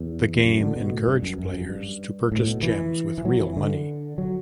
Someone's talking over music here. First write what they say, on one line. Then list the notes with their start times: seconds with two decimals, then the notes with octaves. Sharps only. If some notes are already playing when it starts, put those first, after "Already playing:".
The game encouraged players to purchase gems with real money.
Already playing: E2
0.45 F#2
0.61 D3
0.76 B2
0.92 A2
1.08 G2
1.23 F#2
1.38 F#2
1.54 F#2
1.69 G2
2.32 A2
2.47 B2
2.63 E3
3.18 E3
3.25 F#3
3.40 E3
3.57 D3
4.18 F#3